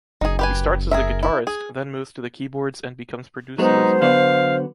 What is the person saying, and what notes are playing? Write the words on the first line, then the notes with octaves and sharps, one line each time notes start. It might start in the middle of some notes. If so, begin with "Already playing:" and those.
He starts as a guitarist, then moves to the keyboards and becomes producer as well.
F#1 D#4 G#4
G4 B4 G#5
G#4 A#4 E5
E4
G#4
F#3 G#3 B3 D#4 C5
D3 F#3 B3 F5